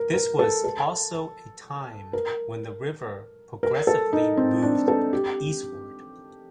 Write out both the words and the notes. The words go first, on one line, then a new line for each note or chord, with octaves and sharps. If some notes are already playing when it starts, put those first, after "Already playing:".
This was also a time when the river progressively moved eastward.
Already playing: A#4
A#4
A4
A4
A#4
A#4
A4
D#4
C4
D4
A4
G4